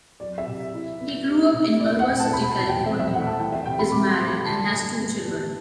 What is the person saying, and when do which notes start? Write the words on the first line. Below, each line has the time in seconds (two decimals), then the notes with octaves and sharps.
He grew up in Culver City, California, is married, and has two children.
0.20 F#3 D5
0.38 E5
0.48 C3
0.74 E4
1.00 B3
1.27 G3
1.53 C3
1.80 E4 D5
2.00 F#5
2.06 C4 G5
2.20 A5
2.33 B2 B5
2.51 A5
2.59 E2
2.69 G5
2.86 C4 E5
3.00 E5
3.13 A3 F#5
3.26 A5
3.39 E3 G5
3.52 E5
3.66 C3 G5
3.79 B5
3.92 C3 D6
4.10 C6
4.19 A3
4.28 B5
4.45 D3 A5
4.72 G2
4.99 B3
5.25 G3